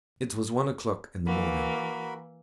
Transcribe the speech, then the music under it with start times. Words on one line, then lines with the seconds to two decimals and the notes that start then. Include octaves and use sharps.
It was one o'clock in the morning.
1.27 E3 A#3 F#4 A#4 B5